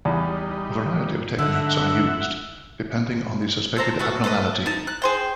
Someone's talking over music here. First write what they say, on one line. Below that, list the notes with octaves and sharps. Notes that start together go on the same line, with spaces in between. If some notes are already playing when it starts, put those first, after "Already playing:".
A variety of techniques are used, depending on the suspected abnormality.
E2 G3 D#4
D3 D#4 E5 F#5 E6
A4 C5 A#5
B3 F#4 A4
A4 B4 C5 D#5
D#4 A5
F#6
G#4 C5 G5